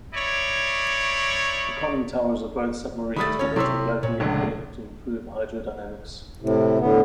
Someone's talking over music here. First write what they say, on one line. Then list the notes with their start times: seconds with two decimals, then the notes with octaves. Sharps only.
The conning towers of both submarines were later locally upgraded to improve hydrodynamics.
0.14 D#4 E4 C#5 D5
3.16 D#3 G3 A3 B5 D#6 A6
3.39 D#2 C#4 C#5
3.56 C3 E4 C#5 C6 E6
4.03 A#2 C#5
4.20 F1 C#2 D3
6.41 A2 C3
6.79 A2 D3 B3